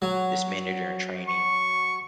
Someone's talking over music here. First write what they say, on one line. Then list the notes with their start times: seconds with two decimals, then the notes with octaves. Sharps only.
this manager-in-training,
0.02 F#3
1.28 C#6